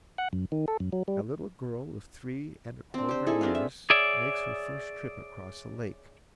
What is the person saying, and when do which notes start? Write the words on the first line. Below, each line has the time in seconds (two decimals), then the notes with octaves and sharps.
A little girl of three and a quarter years makes her first trip across a lake.
0.18 F#5
0.33 F#2
0.52 D#3
0.68 A4
0.80 F#2
0.92 F#3
1.08 G3
2.94 C4 D4
3.09 G4 C5
3.27 D#4 E4 G#4 A4
3.41 C4 D4 B4 F5
3.55 E5
3.90 G#4 C#5 D5 E5